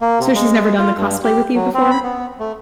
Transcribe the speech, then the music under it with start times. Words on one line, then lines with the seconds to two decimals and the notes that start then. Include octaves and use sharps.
So she's never done the cosplay with you before?
0.01 A#3
0.20 C3
0.35 G#3
0.79 F4
0.98 G2
1.24 G4
1.55 F#3
1.74 C4
1.91 B5
2.04 B3
2.39 A3